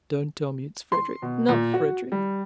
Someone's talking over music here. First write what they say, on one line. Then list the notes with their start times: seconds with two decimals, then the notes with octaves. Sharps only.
Don't tell me it is Frederick--not Frederick.
0.92 C6
1.22 B2
1.49 A#2
1.74 F#4
2.12 G3